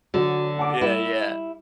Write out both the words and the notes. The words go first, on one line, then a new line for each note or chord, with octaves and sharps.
yeah, yeah,
D3 F#3
F#5 A5 D6
G3 E4